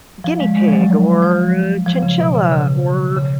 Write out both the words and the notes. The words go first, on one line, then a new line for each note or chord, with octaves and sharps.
guinea pig, or a chinchilla, or
F3
G#3
G#3
F3
F#3
F3
F3
C#3
B2
C#3
C#3
C#3